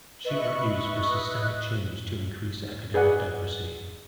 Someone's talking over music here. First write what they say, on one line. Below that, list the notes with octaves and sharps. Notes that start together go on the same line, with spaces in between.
She argues for systemic change to increase academic diversity.
B4 D#5 E5 C#6 F#6
G#4 B4 D5 F#5